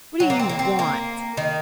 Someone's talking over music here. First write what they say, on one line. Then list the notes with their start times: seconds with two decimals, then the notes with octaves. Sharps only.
"What do you want?"
0.20 F#3
0.30 A#3
0.39 C4
0.49 A#3
0.59 C4
0.79 A#3
1.37 D#3